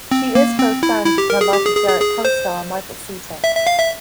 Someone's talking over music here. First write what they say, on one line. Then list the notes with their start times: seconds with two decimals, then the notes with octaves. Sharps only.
She is close friends with her "Life with Derek" co-star, Michael Seater.
0.11 C4
0.35 A#3
0.59 C4
0.83 E4
1.06 E4
1.18 G4
1.30 A#4
1.41 G#4
1.54 G4
1.65 G#4
1.77 G#4
1.89 G#4
2.01 G#4
2.25 C5
3.44 E5
3.55 E5
3.67 F5
3.79 E5